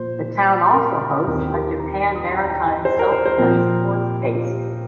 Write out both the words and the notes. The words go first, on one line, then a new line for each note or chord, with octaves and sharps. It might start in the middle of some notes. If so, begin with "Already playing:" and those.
The town also hosts a Japan Maritime Self-Defense Force base.
Already playing: A#2 F3 A#3 C5
A#4
D#2 D#3 C4 A#4
G4
A#4
A#5
D#6
C6
A#5
A#5
G5
D#5
C5
A#4
C5
C5
A#2 F3 C4 A#4
G4
F4
G4
G4